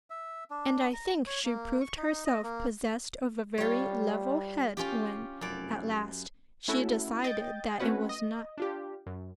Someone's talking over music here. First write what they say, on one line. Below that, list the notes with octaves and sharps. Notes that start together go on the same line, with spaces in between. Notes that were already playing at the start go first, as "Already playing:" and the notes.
And I think she proved herself possessed of a very "level head" when, at last, she decided that it was not.
E5
D4
A#5
C#5
A#3
C#6
D#4
D#5
A#3
G3 F4 C#5
C#4 F4 G4
F1 F#2 D5
A3 C#4 E4 F#4 A4
D#5 G5 G6 A6
A3 C4 C#4 F#4 B4 F#5
D#5
D4 F4 G4
F#2